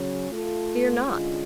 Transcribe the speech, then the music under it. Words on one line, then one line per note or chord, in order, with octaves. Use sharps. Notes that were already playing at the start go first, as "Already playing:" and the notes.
"Fear not!"
Already playing: C#3 F#3 C#4
A3 F4 A4
D3 G#3 C#4 F4